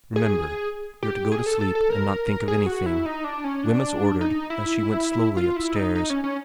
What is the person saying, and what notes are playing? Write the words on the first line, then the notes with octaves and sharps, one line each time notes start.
'Remember you're to go to sleep and not think of anything,' Wemyss ordered as she went slowly upstairs.
G#4
G4
G#4
A4
A4
A4
A#4
G#4
F#4
E4
D#4
D4
C#4
D4
D#4
E4
F4
E4
D#4
D#4
C#4
C#4